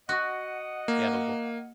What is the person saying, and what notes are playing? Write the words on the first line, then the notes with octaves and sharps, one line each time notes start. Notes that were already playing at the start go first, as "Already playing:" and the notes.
Yeah, the worl
F#4 D#5 F#5
A#3